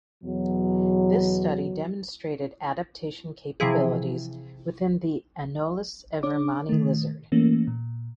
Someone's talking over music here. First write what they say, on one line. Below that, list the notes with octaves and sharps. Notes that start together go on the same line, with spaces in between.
This study demonstrated adaptation capabilities within the Anolis evermanni lizard.
E2 B2 F#3
C3 E3 F3 E4 G#4
D4 C#5 D6
D#3 A3
E3 A3 A#3 C#4
A#2